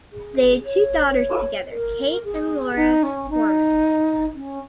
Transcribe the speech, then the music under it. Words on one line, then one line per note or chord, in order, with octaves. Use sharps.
They had two daughters together, Kate and Laura Korman.
G#4
C#5
A#4
G#4
D#4
C#4
D#4
C#4